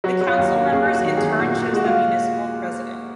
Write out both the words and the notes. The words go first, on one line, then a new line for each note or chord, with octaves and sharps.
The council members in turn choose the Municipal President.
F#3 F#4
F#3
F4
D#2
F#4
A#3
D#2 G#4
F#3
F#4
D#3
G#4
D#3
A#2 F#4
A#2
F#4
G#3 F#4
F4